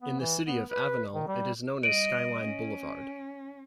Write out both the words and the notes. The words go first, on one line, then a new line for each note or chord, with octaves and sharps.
In the city of Avenal, it is known as Skyline Boulevard.
B3
E3
B3
B4
D#3
G3
G3 D#5 D7 D#7 F#7
C#4